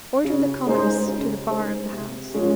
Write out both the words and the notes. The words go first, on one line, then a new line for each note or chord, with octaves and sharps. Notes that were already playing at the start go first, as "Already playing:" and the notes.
"Order the Commons to the bar of the House."
C#3
G#3 D#4 G#4 C5
C#3
G#3 D#4 G#4 C5
C3
F3 G#3 C#4